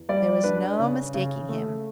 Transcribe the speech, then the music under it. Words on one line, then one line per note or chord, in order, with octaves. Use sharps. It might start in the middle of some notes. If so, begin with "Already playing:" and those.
There was no mistaking him.
Already playing: E2
G3 D5
D4 B4
C#3
C#3
A3